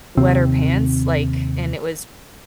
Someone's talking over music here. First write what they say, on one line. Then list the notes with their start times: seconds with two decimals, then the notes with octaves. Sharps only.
wet her pants, like, and it was
0.17 D#2 C3 C4